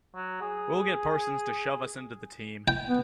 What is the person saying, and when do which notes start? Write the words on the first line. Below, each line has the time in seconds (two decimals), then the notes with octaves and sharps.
We'll get Parsons to shove us into the team.
0.15 F#3
0.41 G#4
2.68 G5
2.89 B3